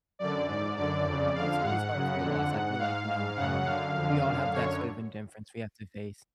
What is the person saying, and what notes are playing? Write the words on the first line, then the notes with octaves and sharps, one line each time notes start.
Yeah, no, I'm I'm I'm totally sorry for your loss, I feel like, you know, um, we all have that sort of indifference we have to face
F#2 D3 D5
G#2 D5
F#2 D3 D5
F2 C#3
F2 D3 F5
G#2 F#5
F#2 C#3
F2 D3
G#2
G#2 F5
G#2
F#2 C#3 F#5
F#2 D3 F5
F2 D3
F#2 D3
F#2 D3 C#5